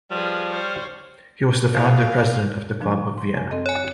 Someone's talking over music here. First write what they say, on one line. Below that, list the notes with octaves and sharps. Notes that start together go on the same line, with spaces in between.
He was the Founder President of the Club of Vienna.
F3 G3 G#4 B4 F6
C5 C#5
E4 G#4 C5 F5
F3 D4
C6
F#2 G#5
C4 A4 D#5
C#5 G#5